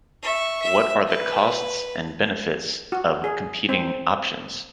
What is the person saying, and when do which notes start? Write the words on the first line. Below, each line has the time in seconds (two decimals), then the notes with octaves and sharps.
What are the costs and benefits of competing options?
0.23 E5 C#6
0.62 E5
1.07 B4
2.92 F#4
3.24 G#4
3.69 C4